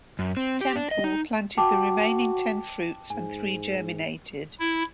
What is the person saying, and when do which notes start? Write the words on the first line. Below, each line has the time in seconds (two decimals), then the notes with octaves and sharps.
Temple planted the remaining ten fruits and three germinated.
0.19 F#2
0.37 C4
0.61 G4
0.76 D4
0.91 D#5
1.04 D#4
1.57 F#4 G5 A5 D6
3.10 G#2 G#5
4.60 E4